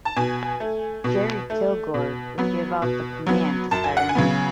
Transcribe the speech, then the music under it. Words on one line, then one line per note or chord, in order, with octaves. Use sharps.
Jerry Kilgore would give out the command to start engines.
A5
B2 G#5
A3
B2
A3
B2
F#3 B3
B2
F#3 B3
F#2 A5
G#5
F#5
G#5
C#3 F#3 B3